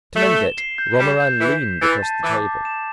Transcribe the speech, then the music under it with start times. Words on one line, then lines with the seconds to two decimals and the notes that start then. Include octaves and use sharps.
To mend it, Romarin leaned across the table.
0.16 A3 E7
0.37 G7
0.58 C7
0.78 G6
0.99 G3 E7
1.20 G6
1.41 E3 B6
1.62 G6
1.81 E3 A6
2.03 A5
2.23 E3 D6
2.44 A5
2.65 E7